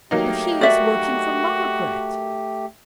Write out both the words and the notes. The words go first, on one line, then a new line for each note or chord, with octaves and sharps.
"But he is working for Margaret."
F#3 A3 A#3 D#4 G4
F#4 D5 E5